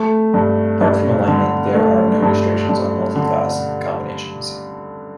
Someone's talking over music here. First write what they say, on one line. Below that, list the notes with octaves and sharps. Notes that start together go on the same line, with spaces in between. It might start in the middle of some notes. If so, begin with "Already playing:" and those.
Apart from alignment, there are no restrictions on multi-class combinations.
Already playing: A3
G2
G2
D3
A3
G2
G2
D3